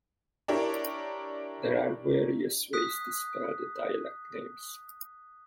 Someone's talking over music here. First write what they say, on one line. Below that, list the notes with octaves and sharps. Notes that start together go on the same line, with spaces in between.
There are various ways to spell the dialect names.
D4 E4 G4 A#4 C#5
D#6 F#6 B6